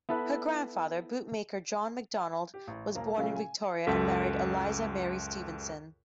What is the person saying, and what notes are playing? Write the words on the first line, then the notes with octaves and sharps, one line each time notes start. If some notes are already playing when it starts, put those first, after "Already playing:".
Her grandfather, bootmaker John McDonald, was born in Victoria, and married Eliza Mary Stevenson.
B3 E4 A4 B4 E5
G4
A1
E1 B1 A#3 A#5
A#2 C#3 F#3 A3 F4 G#4
G#5
C#2 F#2 A4 B6